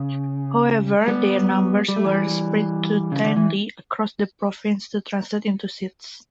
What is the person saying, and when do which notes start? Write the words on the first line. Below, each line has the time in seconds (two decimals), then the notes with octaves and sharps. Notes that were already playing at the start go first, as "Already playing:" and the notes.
However, their numbers were spread too thinly across the province to translate into seats.
Already playing: C#3
1.08 G3 B3
1.88 G3
1.96 A3
2.04 E3 G3
3.12 C#3
3.24 D3
3.36 E3